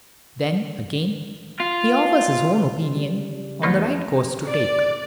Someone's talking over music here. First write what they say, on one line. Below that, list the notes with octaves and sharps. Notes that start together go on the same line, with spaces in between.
Then, again, he offers his own opinion on the right course to take.
F4
C#3 G3
F2 E3 F3 A3 B3 D#4
D5